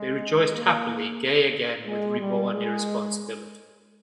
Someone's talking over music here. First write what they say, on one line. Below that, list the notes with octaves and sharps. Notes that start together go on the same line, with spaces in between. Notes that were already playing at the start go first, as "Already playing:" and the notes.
They rejoiced happily, gay again with reborn irresponsibility.
Already playing: G#3
A#3
G#3
G3
G#3